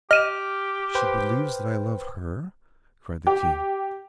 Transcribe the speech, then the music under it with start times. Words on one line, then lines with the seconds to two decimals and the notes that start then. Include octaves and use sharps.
"She believes that I love her!" cried the King.
0.11 G4 D#5 F6 D#7 E7
0.95 B4 C5 G5
3.27 G4